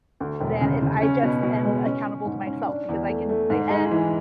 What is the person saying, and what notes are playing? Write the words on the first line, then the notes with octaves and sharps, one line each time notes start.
than if I just am accountable to myself because I can say, "Eh,
D2
E1
C#3
C#3
C#4
B2
B2
G#3
C#4
C#4
G#2
C#4
D4
E2
A3
A3
G#2
G#3
E3